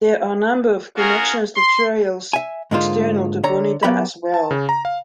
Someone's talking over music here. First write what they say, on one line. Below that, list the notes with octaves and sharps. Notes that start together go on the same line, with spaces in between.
There are a number of connections to trails external to Bonita as well.
C#4 F4 F#4 G#4 A#4
C6
E5 G#5
G#2 D3 G#3 A#3 F4 C5
D3 C#5 A#5
F#3 B3 G4 A#4 E5 B5
A5
C#3
A#5
F5